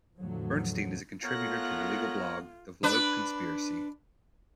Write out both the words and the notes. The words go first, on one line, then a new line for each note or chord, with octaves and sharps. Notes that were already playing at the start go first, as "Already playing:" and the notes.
Bernstein is a contributor to the legal blog, The Volokh Conspiracy.
E2 A2 D3 F3 F#3 A3
A3 B3 F4 A#4 C#5 F#6 A#6
D4 B4